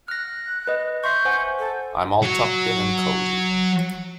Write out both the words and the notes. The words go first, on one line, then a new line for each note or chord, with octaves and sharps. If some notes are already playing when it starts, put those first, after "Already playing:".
I'm all tucked in and cosy.
F6 F#6 A#6
B4 D#5
E5 C6 C#6 G6
C5 F#5 G#5
A4
F#3 F#4